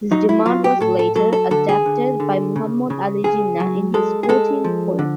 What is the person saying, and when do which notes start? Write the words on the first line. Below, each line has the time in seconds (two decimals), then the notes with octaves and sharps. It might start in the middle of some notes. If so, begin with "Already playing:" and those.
This demand was later adapted by Muhammad Ali Jinnah in his Fourteen points.
0.12 F#3 D#4
0.29 E4
0.46 F#3 F4
0.64 G4
0.80 A2 A4
0.99 A4
1.15 F#3 A4
1.33 A4
1.51 D3 A4
1.69 G#4
1.86 D3
2.20 D3
2.56 C#3
2.90 C#3
3.24 C#3 G#4
3.60 F#3
3.94 G#3 A4
4.23 G#4
4.29 G#3 A4
4.64 F3
4.99 D3